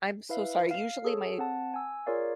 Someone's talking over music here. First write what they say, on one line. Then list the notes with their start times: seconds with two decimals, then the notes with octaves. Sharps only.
I'm so sorry, usually my
0.29 E4 B4 E5 F5
0.71 F5
1.05 G#4 A4 C#5
1.38 C4 F#5 A5
1.74 G#5 E6
2.07 F4 G#4 A#4 C#5 D5 F5